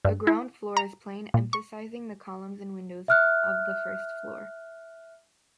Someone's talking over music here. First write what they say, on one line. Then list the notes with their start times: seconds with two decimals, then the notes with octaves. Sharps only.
The ground floor is plain emphasising the columns and windows of the first floor.
0.05 G2
0.27 E4
0.77 A#5
1.34 A#2
1.53 C#6
3.08 E5 F6 F#6